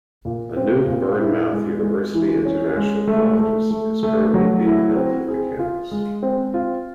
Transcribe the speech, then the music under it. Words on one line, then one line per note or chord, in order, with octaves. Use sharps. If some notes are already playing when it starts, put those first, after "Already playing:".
A new Bournemouth University International College is currently being built at the campus.
A#2
C4
A#2
E4
G#3
G#3
E3
C#4
G#3
A3
A3
A3
A3
F#3
E4
C4
G#4
F4
G#3
C4
F4